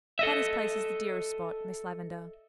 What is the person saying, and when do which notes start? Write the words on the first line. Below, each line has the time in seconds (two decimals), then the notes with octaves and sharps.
Patty's Place is the dearest spot, Miss Lavendar.
0.19 A4 D#5 E5